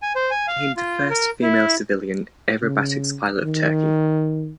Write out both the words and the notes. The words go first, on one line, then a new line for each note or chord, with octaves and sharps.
She became the first female civilian aerobatics pilot of Turkey.
G#5
C5
G#5
F5
F4
A#4
E4
C#3
D#3